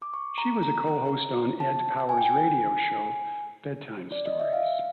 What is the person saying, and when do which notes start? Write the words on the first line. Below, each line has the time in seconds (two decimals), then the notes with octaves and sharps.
She was a co-host on Ed Powers' radio show "Bedtime Stories".
0.02 D6
0.14 C#6
0.38 A#5
0.63 A#5
1.60 A5
2.09 G#5
2.17 G5
2.26 G#5
4.12 D5
4.26 D#5
4.40 E5
4.53 F5